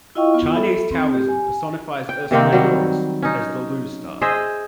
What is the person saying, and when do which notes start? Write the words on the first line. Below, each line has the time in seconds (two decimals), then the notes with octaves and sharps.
Chinese Taoism personifies Ursa Majoris as the Lu star.
0.15 E4 F4 D#5 F5 G5 C#6
0.34 B3 F4
0.55 A4 E5 B5
0.91 C4
1.14 G4
1.29 G#5
2.09 G5
2.31 C3 D#3 A#3 C4
2.52 F#3 G3
3.22 C#4 D#4
4.22 G#4 C5 D#5 E5